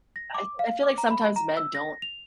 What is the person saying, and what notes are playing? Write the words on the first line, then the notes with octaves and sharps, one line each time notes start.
I f I feel like sometimes men don't
A#6
D6
F5
D6
A#5
B5
A#5
E6
A#6
F7